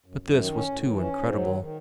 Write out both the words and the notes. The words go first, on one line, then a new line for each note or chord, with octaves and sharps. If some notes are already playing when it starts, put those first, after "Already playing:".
But this was too incredible.
F#2
F#2
D#3
C#4
A2
E3
C#4
G#2
F#3
D#3
D#3